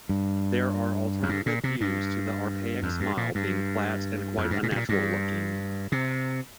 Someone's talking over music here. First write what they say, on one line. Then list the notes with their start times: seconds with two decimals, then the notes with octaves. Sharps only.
There are alternative views to the archaic smile being "flat and quite unnatural looking".
0.09 G2
1.23 F2
1.29 G2
1.46 A#2
1.64 C3
1.81 G2
2.83 F2
3.00 G2
3.17 A#2
3.35 G2
4.38 F2
4.50 G2
4.63 A#2
4.72 C3
4.76 A#2
4.89 G2
5.92 C3